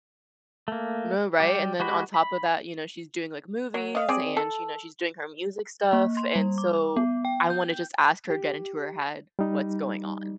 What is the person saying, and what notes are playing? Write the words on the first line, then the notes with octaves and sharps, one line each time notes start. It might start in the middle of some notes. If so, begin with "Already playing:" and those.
No, right, and then on top of that, you know, she's doing, like, movies, and, you know, she's doing her music stuff, and so I wanna just ask her, get into her head, what's going on.
A3 A#3
G3 G4
G#3 F#4 G4 B5
B5
F#3
D#5 F5
C4 G#4 D5
A4
A#3
C6
G3
D6
B3
G5
G6
G4
G3 D#4